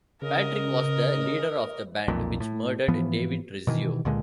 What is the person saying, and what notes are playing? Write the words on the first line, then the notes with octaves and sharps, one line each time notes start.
Patrick was the leader of the band which murdered David Rizzio.
C#3 A#4 D#5
B1 F2 A#2
A2
G#2 E3 F3 B3
B2 D#3 E3
C#2 A#2 D3 G#3